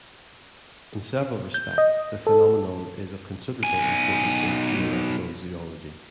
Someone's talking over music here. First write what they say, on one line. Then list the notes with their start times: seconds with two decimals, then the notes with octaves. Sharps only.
In several respects, the phenomenon is of considerable importance in theoretical zoology.
1.54 G6
1.78 D#5
2.27 A4
3.63 B1 G#5